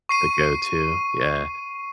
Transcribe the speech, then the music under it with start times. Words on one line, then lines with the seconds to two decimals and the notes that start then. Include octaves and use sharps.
The go-to. Yeah.
0.09 C#6 C7 D#7